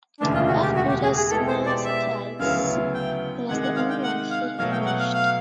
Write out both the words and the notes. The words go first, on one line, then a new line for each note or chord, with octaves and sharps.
Of Pluto's smaller satellites, it was the only one clearly imaged.
E1 D2 C#3 E3 G#3 D4
F4
F#4
G4
F#4
G4
G#4
G#4
B2 G#3 B3 E4 G4 A4
C5
D5
E5
D2 C#3 F#3 B3 E4 F5
G5
C3 D#3 G#3 F#5
F#5
F5
G5
F#5
F5
B2 F#3 A3 F5
G5
F#5
F5
F5